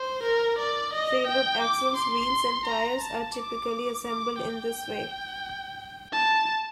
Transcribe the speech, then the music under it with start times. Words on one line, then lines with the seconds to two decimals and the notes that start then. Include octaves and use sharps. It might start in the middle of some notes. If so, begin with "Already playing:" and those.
Railroad axles, wheels, and tires are typically assembled in this way.
Already playing: C5
0.23 A#4
0.58 D5
0.93 D#5
1.27 G5
1.62 D6
1.96 C6
2.66 A#5
3.01 A5
3.35 D6
4.04 D6
4.40 G5
6.13 A5